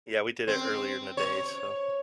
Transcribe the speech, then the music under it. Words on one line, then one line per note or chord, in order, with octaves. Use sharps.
Yeah, we did it earlier in the day, so.
C4
C#5